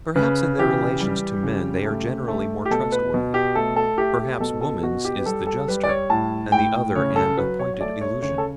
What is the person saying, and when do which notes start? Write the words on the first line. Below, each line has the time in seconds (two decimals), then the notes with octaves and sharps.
Perhaps in their relations to men they are generally more trustworthy--perhaps woman's is the juster, and the other an appointed illusion.
0.16 C#3 B4
0.58 E3 G4
1.00 G3
1.43 C#3
1.85 A3
2.28 A3
2.65 G4
2.71 B2 A4
2.92 B4
3.14 B2
3.34 G4
3.55 A3 A4
3.76 A4
3.98 A3 G4
4.19 G4
4.40 B2 A4
4.61 A4
4.83 B2 F#4
5.05 G4
5.19 B4
5.26 G3 A4
5.47 A4
5.68 G3 B4
5.83 D5
5.89 C#5
6.10 A2 A5
6.52 A2 G5
6.96 C#3 C#5
7.16 A4
7.37 F#3 B4
7.59 C#5
7.74 C#5
7.81 A3 D5
8.01 C#5
8.22 C#3 C#5
8.38 A4